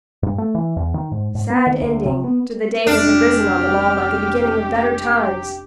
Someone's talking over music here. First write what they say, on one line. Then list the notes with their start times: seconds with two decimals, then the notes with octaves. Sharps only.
Sad ending to the day that had risen on them all like a beginning of better times!
0.23 G2
0.38 A3
0.55 E3
0.76 E2
0.94 D#3
1.12 G#2
1.35 G#2
1.50 B3
1.67 D#3
1.81 D2
2.06 C3
2.24 B3
2.87 F1 C#4 D4 G4 F6